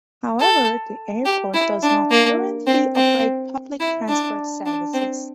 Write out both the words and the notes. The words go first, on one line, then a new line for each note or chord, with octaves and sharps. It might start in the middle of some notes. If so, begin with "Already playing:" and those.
However, the airport does not currently operate public transport services.
A4
G4
E4
D4
A#3
C4
C4
E4
D4
D4
C4